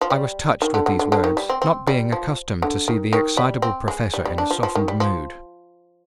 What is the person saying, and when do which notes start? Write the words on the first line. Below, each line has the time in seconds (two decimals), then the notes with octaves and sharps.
I was touched with these words, not being accustomed to see the excitable Professor in a softened mood.
0.01 F3
0.10 G3
0.62 D#3
0.74 D3
0.86 D3
0.99 D3
1.12 D3
1.24 D#3
1.37 G3
1.49 C4
1.62 C4
1.87 G3
2.12 F3
2.62 D3
2.88 D#3
3.13 D#3
3.37 G3
3.62 C4
3.88 G#3
4.14 G3
4.25 G3
4.38 D4
4.51 F3
4.63 F3
4.75 D#3
4.88 G3
5.00 F3